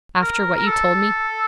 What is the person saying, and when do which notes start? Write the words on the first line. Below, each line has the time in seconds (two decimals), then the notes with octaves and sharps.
After what you told me?
0.21 A#4
0.56 A#4
0.66 A4